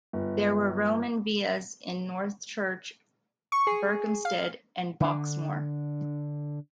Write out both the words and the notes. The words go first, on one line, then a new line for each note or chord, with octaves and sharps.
There were Roman villas in Northchurch, Berkhamsted and Boxmoor.
G1
C#6
G#4
F5
D3 D4